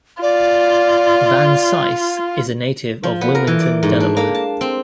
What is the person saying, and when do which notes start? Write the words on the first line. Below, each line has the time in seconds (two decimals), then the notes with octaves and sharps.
Van Sice is a native of Wilmington, Delaware.
0.22 F4 D5
3.04 F3
3.21 B3
3.35 A#4
3.47 E3
3.60 D5
3.83 G#2
4.00 D4
4.17 A#3
4.35 A5
4.61 C4